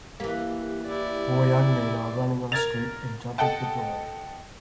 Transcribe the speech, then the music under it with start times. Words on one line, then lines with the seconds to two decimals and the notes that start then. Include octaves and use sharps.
Four young men are running on a street and jumping for joy.
0.20 E3 A#3 G4
0.86 E4 D5
2.52 A#4 G#6 A6 F7
3.38 A4 D#5 F#5 G5 A5